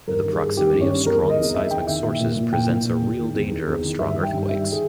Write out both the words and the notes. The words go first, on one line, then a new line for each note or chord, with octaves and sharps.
The proximity of strong seismic sources presents a real danger of strong earthquakes.
G2 A#4
D#3
G#4
G2
D#3 G4
G2
C#4
D#3
E2 A#4
D#3
D#5
E2
D#3 E5
E2 G5
D#3 E5
A#2 E5
A#2
A#2
A#2 G5
A#2
A#2
E2
D#3
E2
D#3
E2
D#3
G2 E5
D#3
G5
G2
D#3 E5
G#4